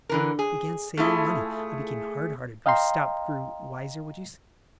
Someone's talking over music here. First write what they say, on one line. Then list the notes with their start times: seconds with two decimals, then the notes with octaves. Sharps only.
I began saving money, I became hard-hearted, grew stout--grew wiser, would you say?
0.09 D3 E3 A#4
0.39 G#4
0.97 A3 E4 F4 G#4 A4
2.66 D#5 F5 G5 A#5 C6